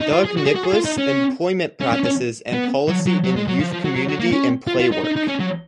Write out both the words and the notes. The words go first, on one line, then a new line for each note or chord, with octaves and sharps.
Doug Nicholls: Employment practices and policy in youth, community and playwork.
D#4
F4
G#4
F#4
G#4
F#4
G#4
F4
D#4
C#4
C#4
C#4
C#4
B3
F#3
F#3
F#3
G#3
F#3
F3
F3
F#3
F#3
F#3
A#3
C#4
F4
F4
D#4
D#4
D#4
C#4
F#3